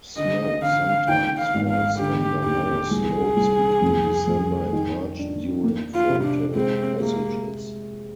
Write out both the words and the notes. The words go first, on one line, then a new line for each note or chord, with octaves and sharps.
Snow sometimes falls on the higher slopes between December and March during frontal passages.
D3 D#5
D3 F5
D#3 G5
F5
G#1
F5
D3 G4
D#2 G4
C2 G#4
C2
F2
F2
D#3
D4
A#3
F4
C3
D4
G#3 C4
G#3 A#3